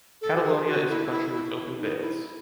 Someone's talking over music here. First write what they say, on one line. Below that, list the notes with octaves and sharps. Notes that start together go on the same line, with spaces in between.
Catalonia is a country with open veils.
A4
F#4
G#4
F#4
E4
E4
E4
E4
D#4
E4